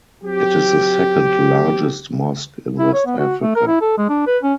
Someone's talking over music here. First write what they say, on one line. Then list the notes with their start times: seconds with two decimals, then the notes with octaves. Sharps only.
It is the second largest mosque in West Africa.
0.23 F#3 C4 G4
2.79 E4
2.93 C#5
3.06 B3
3.18 F#4
3.42 A3
3.55 A#4
3.67 E4
3.81 A4
3.98 G#3
4.09 D4
4.27 B4
4.43 C#4